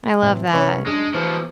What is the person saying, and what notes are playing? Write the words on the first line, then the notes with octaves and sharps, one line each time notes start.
I love that.
A2 C3 E3
C3 B3 C#4 E4 C#5 C#6
F#2 G#3 D4 G#4
B2 E3 F3 C5